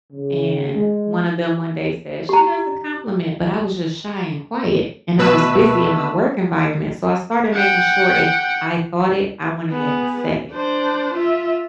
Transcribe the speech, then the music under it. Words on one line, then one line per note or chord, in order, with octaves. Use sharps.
and one of them one day said, "She doesn't compliment," but I was just shy and quiet, and I was busy in my work environment, so I started making sure, if I thought it, I went ahead and said it,
C#3
G#3
G4 A#5
B2 A3 B4 E6
F#5 G5
B3 G#4
D4 C5
F4 E5